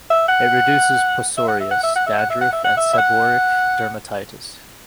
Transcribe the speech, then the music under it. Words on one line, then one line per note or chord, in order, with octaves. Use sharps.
It reduces psoriasis, dandruff, and seborrheic dermatitis.
E5
F#5
E5
F#5
E5
F#5
E5
F#5
E5
F#5
E5
F#5
E5
F#5
E5
E5
F#5